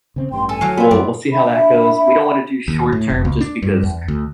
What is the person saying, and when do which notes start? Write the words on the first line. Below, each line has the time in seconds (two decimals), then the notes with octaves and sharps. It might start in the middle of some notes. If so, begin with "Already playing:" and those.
we'll we'll see how that goes. We don't wanna do short-term just because
0.16 C#3 C4
0.32 A1 G2 G3 G5 C6
0.49 A4 G#5
0.61 D2 E3 F#3 C#5 F5
0.77 G#3 B3 C4
0.91 F#2 F#3 G3 D5
1.33 D4 E5 B5
2.68 D#2
2.92 A2
3.10 F1
3.25 C#2
3.41 D4
3.62 G2
3.83 E2
4.08 D2